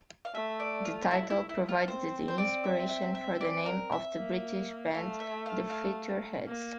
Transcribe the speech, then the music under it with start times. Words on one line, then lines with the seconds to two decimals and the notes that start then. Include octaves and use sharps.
The title provided the inspiration for the name of the British band The Futureheads.
0.25 F5
0.34 A3 E5
0.60 D5
0.85 F4
1.11 E4
1.30 E4
1.49 E4
1.69 F4
1.88 C4 C5
2.28 C5
2.38 D5
2.64 E5
2.89 E5
3.15 E5
3.41 D5
3.66 A#4
3.92 E5
4.18 A#3
4.94 A3 F5
5.20 E5
5.46 F5
5.70 F5
6.48 A#3